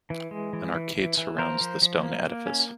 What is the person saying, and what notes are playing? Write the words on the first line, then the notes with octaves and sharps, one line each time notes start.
An arcade surrounds the stone edifice.
E3
G#3
E3
E3
E3
E3
F3 A#4 C5
F3
F3
A#3
A#3
C#4